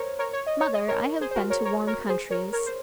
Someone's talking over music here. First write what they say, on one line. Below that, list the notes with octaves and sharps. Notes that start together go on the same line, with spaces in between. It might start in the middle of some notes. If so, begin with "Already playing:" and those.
"Mother, I have been to warm countries."
Already playing: A#4 C5 C#5
A#4 C#5
C#5
D#5
C#5
D#5
A#4 C#5
G#4 C5
C5
F#4 A#4
A#4 C#5
A#4 C#5
A#4 C#5
G#4 C5
A#4 C#5
A#4 C#5
C5